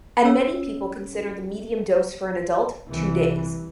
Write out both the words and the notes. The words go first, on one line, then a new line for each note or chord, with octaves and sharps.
And many people consider the medium dose for an adult two days.
C#4 A4 C#5 E6
C2 E3